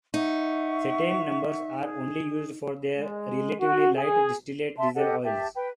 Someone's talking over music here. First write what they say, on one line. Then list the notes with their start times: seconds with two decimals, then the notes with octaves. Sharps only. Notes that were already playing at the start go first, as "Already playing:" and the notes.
Cetane numbers are only used for the relatively light distillate diesel oils.
0.14 D#4 E5 F#5 C#6
1.82 G#4
2.97 G#3
3.60 F#4
3.96 G#4
4.77 E5 A5 C6
4.95 G4 A4 D#5 F#5
5.23 G4 E5 A5
5.55 B4 G5